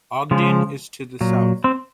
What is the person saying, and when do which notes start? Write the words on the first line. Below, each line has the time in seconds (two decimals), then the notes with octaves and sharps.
Ogden is to the south.
0.31 C#3 F3 G#3
1.21 A#2 F#3
1.64 C4